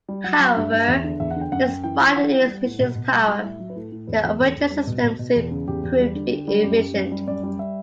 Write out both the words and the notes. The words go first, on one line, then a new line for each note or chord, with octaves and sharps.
However, despite the new machines' power, their operating system soon proved to be inefficient.
G3
F#3 F#5
F#3 F#5
G2 E5
G2
E2
D3
E2 E5
F#5
D3
G5
F#2 F#5
F#2 G5
E3 G5
E3
E3 F#5
E3
G3
A2
B2
B2
G3 F#5
G3
A2 E5
F#3
B4
A2 A4
A2
E2 B4
E2
E2 A4
E2
G3
B2
B2
B2
E2
C#3
E2 G4
E2
G3
D3
D3
G3
F#2 G4
F#2
F#2
G3
F#2 D5
G3
E5